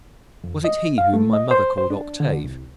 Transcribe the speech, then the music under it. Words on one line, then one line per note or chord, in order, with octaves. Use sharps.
Was it he whom my mother called Octave?
F2
D#5
F5
A3
D#5
C5
C5
D4
D3
C2